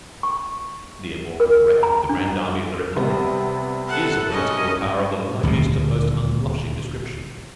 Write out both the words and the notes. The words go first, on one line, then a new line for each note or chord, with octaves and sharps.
The immortal wreck of the Grand Army of the Republic is a political power of the largest and most unblushing description.
C#6
A#4
A#5
D4
C3 G3 B3
A4 F#5
C#4 D#5
D#1 D2 G2 C3